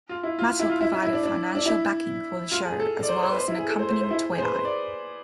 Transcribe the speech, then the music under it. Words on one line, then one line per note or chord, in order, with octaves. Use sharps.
Mattel provided financial backing for the show, as well as an accompanying toyline.
F4
E4
F4
E4
F4
E4
E4
E4
D4
D4
D4
E4
F4
G#4
A4
D5
C5
C5
B4
C5
E4
G#4
A4
C5
C5
C5
E4
G#4
C5
B4
C5
D5